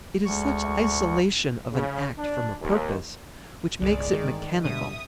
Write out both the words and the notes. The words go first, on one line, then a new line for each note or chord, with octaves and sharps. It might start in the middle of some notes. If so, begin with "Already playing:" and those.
It is such isolation of an act from a purpose which makes it mechanical.
D2 G#3 C#6
C#3
D4
D#2
G1 C2 G#3 D5
D#3
B2 D3 G3 G#3 E5 D#6